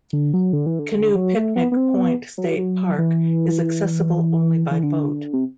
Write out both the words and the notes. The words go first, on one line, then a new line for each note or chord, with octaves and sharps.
Canoe-Picnic Point State Park is accessible only by boat.
D3
F#3
D3
E3
D3
F#3
A3
B3
B3
C4
B3
F#3
E3
E3
D3
C3